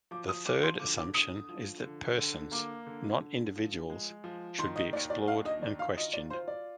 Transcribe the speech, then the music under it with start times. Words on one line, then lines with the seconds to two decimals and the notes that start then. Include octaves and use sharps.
The third assumption is that persons, not individuals, should be explored and questioned.
0.11 F3 D6
0.29 D#6
0.46 F3 D6
0.63 C6
0.79 D3 D6
0.97 D6
1.14 D3 D#6
1.49 F3
1.83 D3
2.18 D3
2.52 A#3 D6
2.87 D3
3.20 D3
3.56 F3
3.90 G#3
4.24 F3
4.58 D#3 C6
4.76 D#5
4.93 D#2 D5
5.10 D5
5.28 D4 F5
5.45 D#5
5.62 D#3 D5
5.79 F5
5.97 F4 D#5
6.13 D5
6.30 F4 C5
6.48 D5